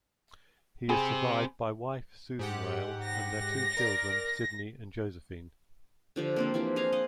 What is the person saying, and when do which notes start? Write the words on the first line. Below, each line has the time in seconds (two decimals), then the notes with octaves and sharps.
He is survived by wife Susan Rayl and their two children, Sydney and Josephine.
0.89 C4 G4 G#4 G#5 B5
2.39 G#2 G4 F#5
3.04 A#6
3.77 A#4 D5
6.16 D3 F3 G4
6.36 A#3 C4 D4
6.54 E3 F3 C4 G4
6.76 G#4 C5 F5 A#5
6.92 D#5 F5 F#5